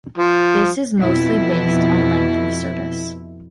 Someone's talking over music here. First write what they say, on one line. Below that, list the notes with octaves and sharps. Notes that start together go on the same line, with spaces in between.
This is mostly based on length of service.
F3
F2 B2 E4